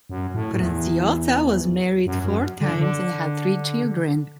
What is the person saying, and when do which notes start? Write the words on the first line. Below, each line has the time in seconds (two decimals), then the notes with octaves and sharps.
Franciosa was married four times, and had three children.
0.09 F#2
0.34 A2
0.59 E2
2.06 F#2
2.24 F#2
2.61 D3
2.80 D3